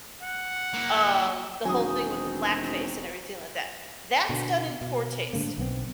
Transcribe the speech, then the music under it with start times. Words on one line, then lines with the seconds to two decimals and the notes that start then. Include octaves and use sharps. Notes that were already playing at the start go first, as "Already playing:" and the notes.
Um, the whole thing with the blackface and everything like that. That's done in poor taste
0.22 F#5
0.74 A#3 E4
1.65 E1 D#3 F#3 C4 G#5 D#6
4.29 B2 D3
4.81 B2
5.33 A2 D3 G#3 A#3
5.58 B1 B3 C4